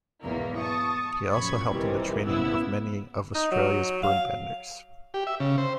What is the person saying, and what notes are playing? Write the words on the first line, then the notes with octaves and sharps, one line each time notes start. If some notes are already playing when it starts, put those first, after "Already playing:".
He also helped in the training of many of Australia's bird-banders.
B1 E2 G#2 B2 E3 A#3
A5 C#6 D#6
F#2 A#2 F3 B5 C#6 G#6
A#1 F2 C3 D#3 E3 G3
A#1 A2 C#3 B3 E4 E6
D#4
F#3
F5
G4
E5
C#3
C5